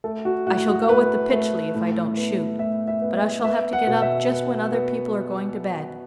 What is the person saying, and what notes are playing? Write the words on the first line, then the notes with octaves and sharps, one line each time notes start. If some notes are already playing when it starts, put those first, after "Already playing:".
I shall go with the Pytchley if I don't shoot, but I shall have to get up just when other people are going to bed.
A3 A4
F#4
A2 F#4
F#4
A3 B4
A3
A2
B3
A2 E5
E5
B3
E5
B3 E5
F#5
B2
E5
B3
B3